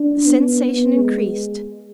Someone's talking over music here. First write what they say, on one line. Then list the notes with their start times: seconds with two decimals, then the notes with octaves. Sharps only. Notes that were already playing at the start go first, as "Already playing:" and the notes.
The sensation increased.
Already playing: D4
0.26 B3
0.61 B3
0.97 G#3